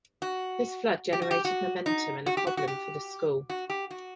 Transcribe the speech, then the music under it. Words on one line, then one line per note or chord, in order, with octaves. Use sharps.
This flood generated momentum and a problem for the school.
F#4
G4
F#4
G4
F#4
D#4
F#4
G4
F#4
F#4
G4
F#4
G4
F#4